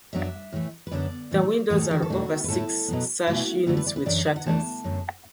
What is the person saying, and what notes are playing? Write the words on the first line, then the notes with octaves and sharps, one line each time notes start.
The windows are over six sash units with shutters.
F#2 F#3 B3 D4 E5
A2 E3 A3
B4
F#2 D3 B3 D4 D5
A2 E3 A3
A2 E3 A3 E4 F#4
A4
F#4
A4
E2 B2 A3 D4 F#4
B4
A2 A3 E4 A4
B2 F#3 B3
B2 A3 E4 F#4
D3 A3 E4 F#4
B4
D5
B4
F#2 E3 D4 D5
D5
F#5
E2 E3 A3 D4 A5
F#2 D3 A3